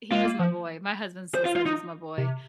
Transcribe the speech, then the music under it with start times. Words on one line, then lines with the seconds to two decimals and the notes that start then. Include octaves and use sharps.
eh, he was my boy, my husband still says "He's my boy,"
0.12 G#3 F4
0.25 A#3
0.39 F3
1.35 C5
1.45 F4
1.56 F4
1.66 D#4
2.18 C3